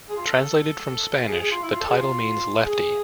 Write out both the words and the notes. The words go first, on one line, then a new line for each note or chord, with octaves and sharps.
Translated from Spanish, the title means Lefty.
G#4
F4
A4
G#4
G#4
F4
E4
F4
A4
G#4
F4
G#4